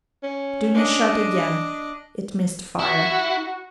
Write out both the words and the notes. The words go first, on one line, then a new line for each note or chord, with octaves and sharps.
Dounia shot again: it missed fire.
C#4
D4 D#5
E4 F#4